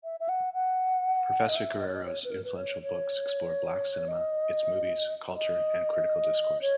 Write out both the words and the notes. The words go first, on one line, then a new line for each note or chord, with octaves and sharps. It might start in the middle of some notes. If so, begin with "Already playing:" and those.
Professor Guerrero's influential books explore black cinema, its movies, culture and critical discourse.
E5
E5
F#5
F#5
D#5
E5
D#5
C#5
D#5
C#5
B4
A#4
B4
C#5
C#5
D#5
D#5
C#5